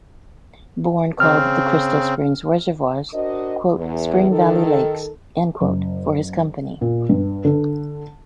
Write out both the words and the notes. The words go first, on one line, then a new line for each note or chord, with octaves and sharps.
Bourn called the Crystal Springs Reservoirs "Spring Valley Lakes" for his company.
C#3 C4 F6
D4 F#4 A#4 C5 D#5
E2
D#3 A4
F#1
A#2
G2
D3